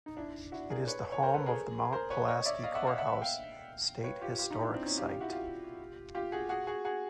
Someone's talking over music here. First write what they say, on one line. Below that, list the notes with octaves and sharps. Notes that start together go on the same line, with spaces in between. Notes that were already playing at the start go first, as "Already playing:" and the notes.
It is the home of the Mount Pulaski Courthouse State Historic Site.
D#4
D4 E4
E4 F#4
G#4 A#4
B4 C#5
C#5
A#4 C5
A4 B4
G#4 A#4
A#4 C5
B4 C#5
C#5 D#5
D5 E5
D#5 F5
E5 F#5
D#5 F5
E5 F#5
F5 G5
B4 C#5
F4 G4
F4 G4
D#4 F4
D4 E4
C4 D4
C#4 D#4
F4 G4
F4 G4
E4 F#4
F4 G4
F4 G4
F#4 G#4
F#4 G#4
F#4 G#4
F#4 G#4